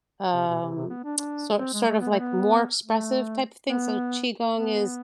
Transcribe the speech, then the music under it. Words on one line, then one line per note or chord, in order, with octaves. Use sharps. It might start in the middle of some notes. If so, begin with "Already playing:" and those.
um, sor sort of, like, more expressive type of thing. So qigong is,
C3
B2
C3
C3
B3
D4
D4
C4
G#3
A3
B3
A3
B3
A3
B3
B3